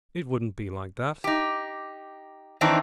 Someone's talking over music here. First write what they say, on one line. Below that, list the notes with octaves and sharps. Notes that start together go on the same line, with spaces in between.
"It wouldn't be like that."
D#4 G4
D#3 E3 C4 D4 D#4